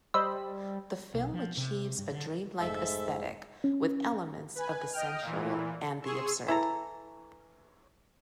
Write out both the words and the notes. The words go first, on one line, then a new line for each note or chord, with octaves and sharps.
The film achieves a dream-like aesthetic with elements of the sensual and the absurd.
G3 C5 D#5 B5 E6
B1
F3
C3
G2
D3
F1 G#2 A4 E5
C#4
B4 G#5
D#5 G5 F6
A#2 E3
G#4 C6 C#6 E6
E3 E4 A4 A#5